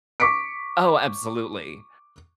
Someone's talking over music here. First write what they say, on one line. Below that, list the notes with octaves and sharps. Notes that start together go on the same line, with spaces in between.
Oh, absolutely.
C#6 D6 B6 C#7 D7